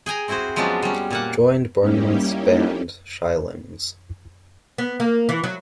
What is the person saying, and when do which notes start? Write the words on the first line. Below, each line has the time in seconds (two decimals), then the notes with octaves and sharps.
Joined Bournemouth's band Shy Limbs.
0.06 G#4 G5 G#5 A#5
0.28 C4 E4 F#4 G#4 C5
0.56 F3 F#3 G#3 B3 C#4 D4
0.82 G3 C#4
1.10 A#2 A#3 F#5
1.80 G3 A#3 C#4 D#4 E4 G4
4.78 B3
5.00 A#3
5.29 E3
5.44 F#3